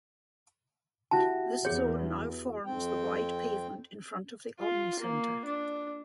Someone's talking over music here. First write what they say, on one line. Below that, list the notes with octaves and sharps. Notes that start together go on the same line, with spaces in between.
This zone now forms the wide pavement in front of the Omni Centre.
E4 F#4 G4 A5
E2 G#4 C#5
F2 C4 G5
F4
A#3
D4